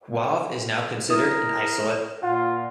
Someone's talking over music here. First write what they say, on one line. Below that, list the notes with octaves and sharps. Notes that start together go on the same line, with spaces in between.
Huave is now considered an isolate.
E4 A#4 D#6
A#2 F4 F#5